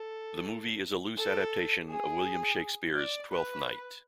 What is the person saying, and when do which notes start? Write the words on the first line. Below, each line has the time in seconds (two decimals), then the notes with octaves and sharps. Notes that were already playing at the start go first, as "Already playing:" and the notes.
The movie is a loose adaptation of William Shakespeare's "Twelfth Night".
Already playing: A4
1.17 A4
1.89 G#4
2.95 D5
3.31 B4